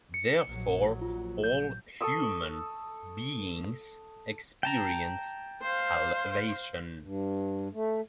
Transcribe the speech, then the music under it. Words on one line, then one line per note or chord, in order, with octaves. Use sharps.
Therefore, all human beings experience salvation.
C#7
A#1 F#3
F4
G6
A4 C#6 D#6 E6
G5 A5 A#5
C5 F5
G2
A3